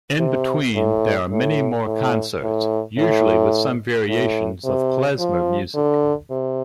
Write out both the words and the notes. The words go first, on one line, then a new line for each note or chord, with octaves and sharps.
In between there are many more concerts, usually with some variations of klezmer music.
C3
A2
A2
A2
A2
A2
A2
C3
F3
D3
C3